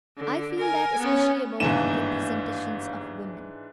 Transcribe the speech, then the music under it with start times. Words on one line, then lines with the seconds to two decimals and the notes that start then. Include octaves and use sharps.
I feel that especially about representations of women.
0.17 D3
0.59 A#4 G#5
0.99 B3 C#4
1.60 G1 D#2 G#2 E3 D4 E7